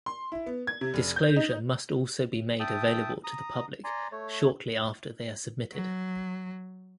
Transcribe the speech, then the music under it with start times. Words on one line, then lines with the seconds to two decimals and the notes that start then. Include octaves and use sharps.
Disclosure must also be made available to the public shortly after they are submitted.
0.06 C6
0.32 E4
0.46 B3
0.67 G#6
0.81 C3
0.94 F1
1.16 G6
1.36 D#4
2.60 E5 G5 A5 D#6
3.24 A#5 D#6
3.84 D5 G#5 A#5 C6
4.12 A3 C#5
5.73 F#3